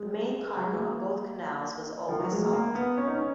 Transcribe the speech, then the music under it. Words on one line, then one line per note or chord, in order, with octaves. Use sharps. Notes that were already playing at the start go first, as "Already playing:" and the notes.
The main cargo on both canals was always salt.
Already playing: G#3
F#3
G#3
A#3
F3
F#3
G#3
A#3
A#3
B3
C#4
D#4
C#4